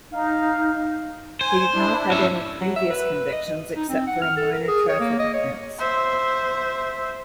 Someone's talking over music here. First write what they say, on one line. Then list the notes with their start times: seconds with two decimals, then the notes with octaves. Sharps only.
He did not have any previous convictions except for a minor traffic offence.
0.13 D#4 F5
1.41 C5 G#5
1.74 D4 E4
2.12 C#4 E5
2.61 F#3
2.76 E5
2.90 B4
3.32 D#5
3.76 D#4
3.89 C4
4.07 F#5
4.22 F6
4.37 A4
4.52 A#4
4.68 G#4
4.89 C#5
5.00 A#3
5.19 D#5
5.34 C#5
5.78 C5 E5